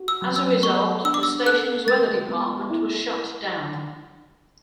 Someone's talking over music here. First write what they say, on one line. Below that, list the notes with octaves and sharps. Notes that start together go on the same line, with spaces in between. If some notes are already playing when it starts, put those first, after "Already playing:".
As a result, the station's weather department was shut down.
Already playing: F#4
E6
F#3
E6
B3 C#6
D4 E6
D6
E6
A4 F#6
G#3 A6
B3
E4